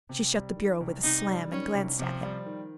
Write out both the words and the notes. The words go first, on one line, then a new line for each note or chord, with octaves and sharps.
She shut the bureau with a slam, and glanced at him.
C3
G3
D#3
C2
C3 D#4
G3
D#3 C#4
C2
C3 F3
G3
D#3